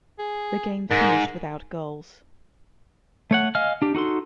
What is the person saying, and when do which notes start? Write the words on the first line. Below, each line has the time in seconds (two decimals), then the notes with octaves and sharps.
The game finished without goals.
0.19 G#4
0.91 G#2 A#4
3.31 A3 C#5 F#5
3.55 D#5 F5 G#5 F6
3.82 D4 G4
3.95 D#4 F#4 A4 C6